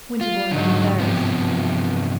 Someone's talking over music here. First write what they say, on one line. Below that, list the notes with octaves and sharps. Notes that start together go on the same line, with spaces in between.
Winterbourne was embarrassed.
F4
G#2 D3 F#3 D#4
G2 C3 F3 B3